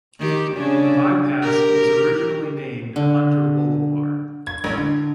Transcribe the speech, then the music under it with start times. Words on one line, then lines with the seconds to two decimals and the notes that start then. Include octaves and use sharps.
The bypass was originally named Hunter Boulevard.
0.19 D#3 G4
0.55 C#3 D4
1.42 G4 A#4
2.96 D3
4.47 G#6
4.64 A1
4.77 D3